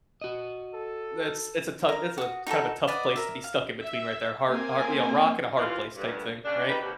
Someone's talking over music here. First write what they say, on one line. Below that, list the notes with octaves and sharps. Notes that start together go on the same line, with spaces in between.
That's it's a tough it's a kind of a tough place to be stuck in between right there, har har you know, rock-and-a-hard-place type thing. Right?
F#4 D#5
A4
A#4 F5
F#4 D#6
D#4 F#4 G#4 A4
B4 D5 D#5 F#5
A#4 E5
F5
E5
A#3 C4 G#5
D#2 E3 F4
D2 G2
C#3 D4
G3 D#4 G4 A#4 B4
D#2 C3 G3 F#4 B4